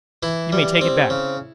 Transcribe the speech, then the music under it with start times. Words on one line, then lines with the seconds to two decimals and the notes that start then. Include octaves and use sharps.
You may take it back!'
0.23 E3 E4
0.53 G3
0.81 C4
1.10 C#3